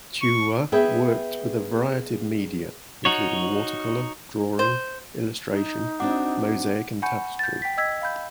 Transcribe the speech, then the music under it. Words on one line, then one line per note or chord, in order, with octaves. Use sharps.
Ciuha worked with a variety of media, including watercolour, drawing, illustration, mosaic and tapestry.
C#6
B3 G#4 B4 E5 G5
D#4 F#4 C#5
C5
D#4
C4 D4 F#4 F#5 D6
F#5 G#5 B5 C#6 G6 C#7
G6 A6
G5 B6
D#5 E6 G#6 B6
F5 B5 G6